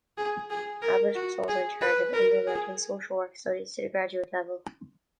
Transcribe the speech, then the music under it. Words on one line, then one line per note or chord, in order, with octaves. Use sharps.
Abbott was also in charge of implementing social work studies to the graduate level.
G#4
G#4
A#4
F#4
G#4
B4
A#4
G#4